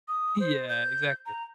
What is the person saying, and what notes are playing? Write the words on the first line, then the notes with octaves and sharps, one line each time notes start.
Yeah, exactly.
D#6
C5
G6
A#5